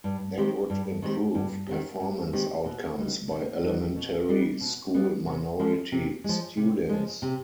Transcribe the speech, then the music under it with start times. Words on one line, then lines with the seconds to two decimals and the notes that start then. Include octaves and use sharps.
That would improve performance outcomes by elementary school minority students.
0.04 G2
0.38 D#3 G#3 C4 G4
0.70 G2
1.02 D#3 G#3 C4 G4
1.35 G2
1.67 D#3 G#3 C4 G4
2.00 G2
2.33 D#3 G#3 C4 G4
2.65 B2
2.98 G3 B3 D#4
3.31 B2
3.63 G3 B3 D#4
3.96 B2
4.29 G3 B3 D#4
4.61 B2
4.94 G3 B3 D#4
5.26 C3
5.60 F3 G#3
5.92 C3
6.24 F3 G#3
6.57 C3
6.89 F3 G#3
7.22 C3